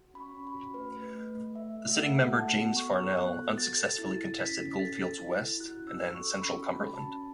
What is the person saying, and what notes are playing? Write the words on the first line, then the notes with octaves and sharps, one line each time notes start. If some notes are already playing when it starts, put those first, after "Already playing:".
The sitting member James Farnell unsuccessfully contested Goldfields West and then Central Cumberland.
Already playing: F#4
C#4 B5
C#6
C#4
B5
F#4
A3 B4
A3 B4
A3
A3
A3 E5
A3
E5
A4 F#5
A3
F#5
F#4 A5
B3
A4 C#6
A4
B3 F#6
F#4
A4 A6
A4
E4 A6
E4
C#4 B6
C#4
B6
A4 A6
A4
E4
E4
F#4 F#6
C#4
E6
F#4
C#6
A4
C#4 B5
F#4
B5
F#4
A5
C#4